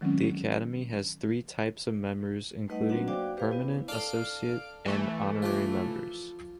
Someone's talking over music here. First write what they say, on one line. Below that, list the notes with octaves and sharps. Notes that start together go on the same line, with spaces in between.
The Academy has three types of members including permanent, associate and honorary members.
D#3 F#3 G#3 C4 C#4
G3 A3 D#4 B4 D#5 F#5
F#3 A#3 C4 D4 F#4 F#5
F#4 C5 D5 F5 G5 D6
G4 B4 C5 F5
B3 E4
D4 A4 F5 D7
E3 A3
F3 A5 D6